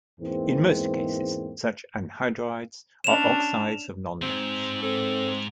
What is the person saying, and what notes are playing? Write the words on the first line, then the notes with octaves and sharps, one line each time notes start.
In most cases, such anhydrides are oxides of nonmetals.
E2 G#2 E3 G#3 A#3 C4
C#4 D4 E7 F7
G#2 C4
C4 A4